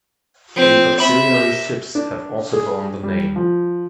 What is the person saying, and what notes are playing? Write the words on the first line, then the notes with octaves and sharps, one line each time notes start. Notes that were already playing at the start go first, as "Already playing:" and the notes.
A auxiliary ships have also borne the name.
F3 C4
C4 E5 B5
G4 A#4
D4
G#4
G3
F3